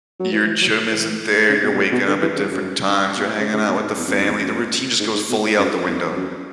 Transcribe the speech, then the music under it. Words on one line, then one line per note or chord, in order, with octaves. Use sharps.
Your gym isn't there, you're waking up at different times, you're hanging out with the family, the routine just goes fully out the window.
F#3
E3
E3
F#3
E3
C#3
B2
B2
A2
B2
D3
E3
C#3
F#2
B2
A2
C#3
C#3
B2
G#2
E2
F#2
E2
F#2
E2
F#2
G#2
G#2
B2
A2
F#2
F#2
E2
F#2